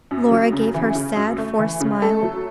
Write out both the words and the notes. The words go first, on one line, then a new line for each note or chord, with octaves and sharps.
Laura gave her sad, forced smile.
F#2
F#3
C#3
E3
C#3
F#2
A3
E3
C#3
A3 A4
F#3